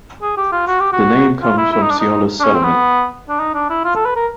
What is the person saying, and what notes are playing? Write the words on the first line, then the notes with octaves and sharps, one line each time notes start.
The name comes from "Ceola's settlement".
G#4
G4
F4
F#4
G4
F#4
F4
E4
E4
D#4
D4
D#4
D4
C#4
C4
B3
D4
D#4
D4
E4
F4
A4
B4
A#4